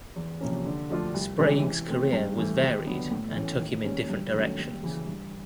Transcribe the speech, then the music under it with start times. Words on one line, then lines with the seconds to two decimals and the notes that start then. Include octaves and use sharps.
Sprague's career was varied and took him in different directions.
0.16 E2
0.40 C3 F3 A#3 C#4
0.65 D3
0.90 F3 A3 D4 F4
1.14 C2
1.39 C3 E3 G#3 C#4
1.64 E3
1.88 A3 C4
2.13 G2
2.37 E3 A3
2.62 D#2
2.86 D3 F#3 B3
3.11 A2
3.35 E3 A3 C#4
3.60 D#3
3.84 G3 A#3 C#4
4.09 G2
4.33 D#3 F#3 A3 C#4
4.58 D#2
4.83 C#3 E3
5.06 G2